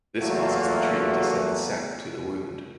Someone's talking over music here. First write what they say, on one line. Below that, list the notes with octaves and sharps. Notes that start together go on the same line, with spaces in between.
This causes the tree to send the sap to the wound.
E2 F#3 A3 A#3 F4 F#4